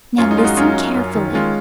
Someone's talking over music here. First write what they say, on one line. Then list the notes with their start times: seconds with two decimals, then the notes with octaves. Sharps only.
Now, listen carefully.
0.18 F#2 C#4 F4
0.31 D#4
0.38 G#3 F4
0.44 D#4 F#4
0.57 F#2 C#4 F4
0.77 F#2
0.96 F#2
1.15 D#3
1.34 G#3 C#4 F4